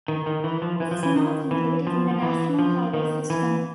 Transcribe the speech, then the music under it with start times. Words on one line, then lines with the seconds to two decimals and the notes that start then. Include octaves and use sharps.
It is not included in the National Highway System.
0.08 D#3
0.26 D#3
0.44 E3
0.62 F3
0.80 E3
0.91 F3
1.03 E3
1.16 D#3
1.51 E3
1.87 F3
2.11 F3
2.22 E3
2.59 F3
2.94 D#3
3.30 E3